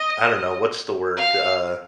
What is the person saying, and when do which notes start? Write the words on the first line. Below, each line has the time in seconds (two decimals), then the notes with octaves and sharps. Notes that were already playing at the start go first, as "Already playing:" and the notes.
I don't know. What's the word, uh
Already playing: D#5
1.17 F5